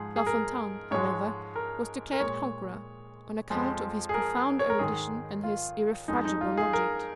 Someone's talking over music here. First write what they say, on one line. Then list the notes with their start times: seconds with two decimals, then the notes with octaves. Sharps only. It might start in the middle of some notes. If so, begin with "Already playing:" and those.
La Fontaine, however, was declared conqueror, on account of his profound erudition and his irrefragable logic.
Already playing: G#2 F3 G#3 G#4
0.16 G#4
0.27 A#4
0.91 G#2 F3 G#3 C#5
1.56 A#4
2.13 A#4
2.20 A#2 G#3 C#5
3.50 F2 F3 G#3
4.09 G#4
4.14 A#4
4.59 C#5
4.70 A#4
4.79 G#2 D#3 G#3 G#4
5.44 F4
6.08 F2 F3 G#3 D#4
6.25 D#4
6.41 F4
6.58 G#4
6.73 A#4